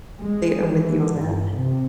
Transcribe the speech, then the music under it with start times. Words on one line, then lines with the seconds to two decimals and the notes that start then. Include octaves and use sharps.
am with you on that.
0.21 G#3
0.69 E3
1.20 G1
1.57 C3